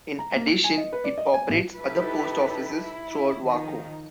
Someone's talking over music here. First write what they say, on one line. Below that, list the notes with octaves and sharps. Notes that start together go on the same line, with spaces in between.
In addition, it operates other post offices throughout Waco.
A#5
A#3
C#7
G#5
D#5
B4
D5
D#5
G#5
A1
D#4 E4 G4 A4 B4
E4
D#3 F3 D#4